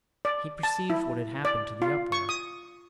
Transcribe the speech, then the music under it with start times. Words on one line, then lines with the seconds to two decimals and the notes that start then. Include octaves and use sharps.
He perceived what had happened to the uproar.
0.25 D5
0.63 A5
0.90 E4
1.45 D5
1.82 F4
2.12 C#6
2.29 D#6